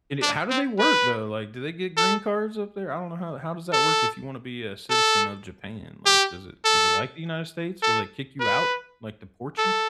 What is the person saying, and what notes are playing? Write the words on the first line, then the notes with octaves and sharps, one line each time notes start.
And, eh, how do they work, though? Like, do they get green cards up there? I don't know how how does that work if you want to be a citizen of Japan, like, does it is it like the United States? Will they kick you out, like deport you?
D4
C4
B4
A4
A4
A4
G4
A4
A4
B4
A4